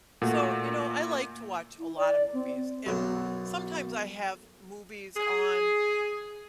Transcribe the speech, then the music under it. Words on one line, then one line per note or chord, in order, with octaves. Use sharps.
So, you know, I like to watch a lot of movies, and sometimes I have movies on
A#2 A3 F#4
E4
D5
C4
B1 F#2
G#4